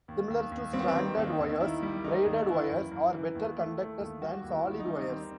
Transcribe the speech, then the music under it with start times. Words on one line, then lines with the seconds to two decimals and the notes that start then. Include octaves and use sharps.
Similar to stranded wires, braided wires are better conductors than solid wires.
0.08 D#2
0.30 D#2
0.52 D#2
0.73 G3 C4
0.81 B3
0.88 C4
0.96 D#3
1.17 D#2 D#4
1.39 D#2
1.61 D#3 E4
1.83 G3
2.04 D#3 D#4
2.26 D#2
2.48 E3 E4
2.70 F#2
2.91 F#2
3.13 E3
3.35 D#2
3.57 A3
3.78 A3
4.00 D#2
4.22 G3 F#4
4.44 D#2
4.51 E4
4.66 D#2
4.80 D#4
4.88 G3
5.09 D#3 C4